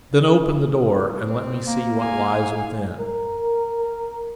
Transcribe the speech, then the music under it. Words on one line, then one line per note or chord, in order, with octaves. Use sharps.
"Then open the door, and let me see what lies within."
C4
A#3
G#4 F5 G#5
A#4